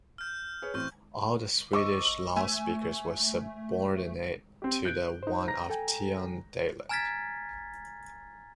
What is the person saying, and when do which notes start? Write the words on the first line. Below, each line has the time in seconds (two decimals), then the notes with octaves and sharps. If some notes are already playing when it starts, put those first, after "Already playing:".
All the Swedish lawspeakers were subordinate to the one of Tiundaland.
0.18 F6 G6
0.62 G#4 B4 C#5
0.74 A1 C4 C#6 F6 G6
1.73 D#5 C#6 D6 E6
2.36 A3 G#5 E6
4.62 C4 G4
4.85 F#6 G6 D7
5.23 D#4 C5
5.48 A#5 A#6
5.70 A4 G5 G#5
6.89 G#5 A#5 F6 G#6 A6 B6